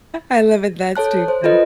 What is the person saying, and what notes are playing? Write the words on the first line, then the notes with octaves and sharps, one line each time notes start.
I love it that's too funny.
A4 C#5 A5 F#6
C5
F4 A4 B4 D#5